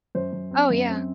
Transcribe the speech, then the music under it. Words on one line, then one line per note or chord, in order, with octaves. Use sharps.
Oh, yeah.
F#2 C5
F#2
C4
F#2
C4